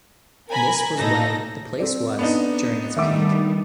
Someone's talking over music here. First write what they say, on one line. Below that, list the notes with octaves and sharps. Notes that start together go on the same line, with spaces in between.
This was when the place was during its peak.
A#4 G#5 A#5 B5
A2 A3 D#4 A4 A#6
C4 A4 D5
B3 D4 D#4
D#3 G3 A3 E5 F#5 D6